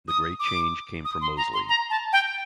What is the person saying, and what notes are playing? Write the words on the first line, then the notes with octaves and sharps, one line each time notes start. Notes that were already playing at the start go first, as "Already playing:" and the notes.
The great change came from Moseley.
D#6
D6
D#6
C6
A#5
C6
A#5
A5
G5